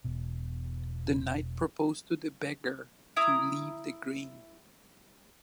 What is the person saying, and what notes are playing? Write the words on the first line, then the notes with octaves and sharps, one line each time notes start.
The knight proposed to the beggar to leave the grain.
E1 B2
E4 A#5 D#6